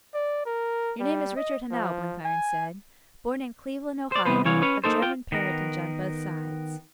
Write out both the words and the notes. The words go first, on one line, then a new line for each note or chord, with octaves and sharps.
'Your name is Richard Hanau,' Blenkiron said, 'born in Cleveland, Ohio, of German parentage on both sides.
D5
A#4
G3
D#5
F3
G#5
C5 D5
C2 C#3 B3 B4 C5
C2 E3 C#5 F5
C#4 B4 C#5
A#3 D#4 A4 C5
F4 G5
D#3 B3 A#4